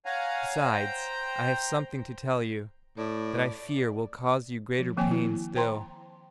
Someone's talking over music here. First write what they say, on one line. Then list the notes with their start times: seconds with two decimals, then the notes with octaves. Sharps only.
Besides, I have something to tell you, that I fear will cause you greater pain still.
0.05 C#5 F5 F#5 G#5 A#5
0.71 C5 G5 A#5
2.97 A2 D5
4.79 F3
4.97 D#3 F3 A#3 C4 G5 G#5
5.11 E4
5.56 C5 G5 A5 A#5 C6